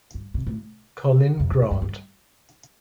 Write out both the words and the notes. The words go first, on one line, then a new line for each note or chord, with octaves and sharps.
Colin Grant.
G2
C3
A2
F2
C3
A2
G2
G2